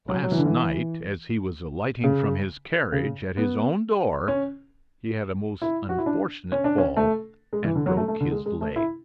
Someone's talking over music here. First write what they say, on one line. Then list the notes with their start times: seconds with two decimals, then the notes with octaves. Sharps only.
"Last night, as he was alighting from his carriage, at his own door, he had a most unfortunate fall, and broke his leg."
0.09 F#3
0.23 F#3
0.32 E3
0.38 D3
0.46 E3
2.04 C#3
2.92 C#3
3.37 B3
4.28 C#4
5.62 E4
5.89 F#4
5.98 E4
6.06 D4
6.52 C#4
6.64 D4
6.78 C#4
6.96 A3
7.53 G#3
7.64 E3
7.75 D3
7.86 F#3
7.97 A3
8.08 A3
8.21 D3
8.31 G#3
8.46 G#3
8.61 A3
8.76 E4